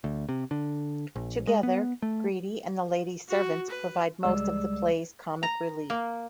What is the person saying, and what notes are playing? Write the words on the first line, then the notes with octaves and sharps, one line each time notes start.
Together, Greedy and the Lady's servants provide most of the play's comic relief.
D2
C3
D3
A#1
G#3
B3
A3
F#4
B4
C#2 G3 G#3 D5 E6
A#5
A#3